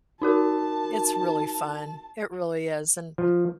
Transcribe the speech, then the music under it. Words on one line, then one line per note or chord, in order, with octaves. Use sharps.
it's really fun, it really is, and
D#4 F#4 A#4 A5
F3